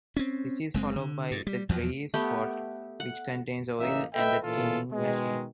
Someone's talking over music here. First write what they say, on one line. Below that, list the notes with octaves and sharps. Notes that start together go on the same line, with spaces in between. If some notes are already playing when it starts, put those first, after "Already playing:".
This is followed by the grease pot, which contains oil and a "tinning machine".
C4 C#4
F#1 G#3 C4
D3
G2
G3
E2 F3 F#3
A3 B3 G4
F#5
A1 A#3 C#4 D#4 E5
A4 B4 D#5 E5 G5
A#2 C#3 E3 F4 A4
B2 D#3 G#3